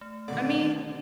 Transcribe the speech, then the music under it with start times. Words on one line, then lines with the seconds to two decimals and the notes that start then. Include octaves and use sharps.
I mean,
0.01 A3
0.28 B1 D3 D#3 D5
0.60 E7